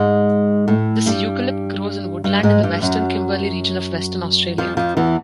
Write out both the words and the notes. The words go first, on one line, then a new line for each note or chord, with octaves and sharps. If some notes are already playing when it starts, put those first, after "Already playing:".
This eucalypt grows in woodland in the western Kimberley region of Western Australia.
Already playing: G#2 G#3
A2 A3
G2 G3
G2 G3
G#2 G#3
G2 G3
F#2 F#3
F2 F3
F2 F3
E2 E3